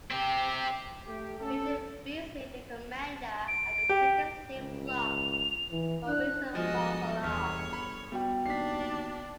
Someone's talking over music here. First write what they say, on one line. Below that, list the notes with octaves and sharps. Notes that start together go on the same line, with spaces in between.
Major Beasley, the commander, had the second slave flogged for "raising a false alarm".
C4 G4
A3 G4
C#4 A4
D7
G4
C#2
F7
E3
D4 F#6
G1 F3 G#3 F#4 D#5 G#5
E1 C#5 F6 B6
B5
G3 B3 F#4 G5
D#2 D4 B6 C7